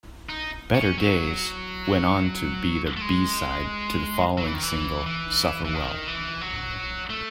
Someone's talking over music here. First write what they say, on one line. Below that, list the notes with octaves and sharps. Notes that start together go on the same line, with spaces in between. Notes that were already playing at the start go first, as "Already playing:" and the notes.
"Better Days" went on to be the B-side to the following single, "Suffer Well".
D#4
C#4
F#3
A3
G#3
F#3
E3
D#3
E3
E3
E3
D#3
E3
F#3
A3